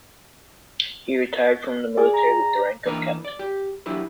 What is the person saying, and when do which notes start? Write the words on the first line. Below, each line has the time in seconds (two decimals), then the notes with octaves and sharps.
He retired from the military with the rank of captain.
1.97 G#4 D5
2.14 A#5
2.86 E3 A#3 D4 D#4 A#4 B4
3.25 D5
3.39 G4
3.86 F#3 D4 E4 G4 B4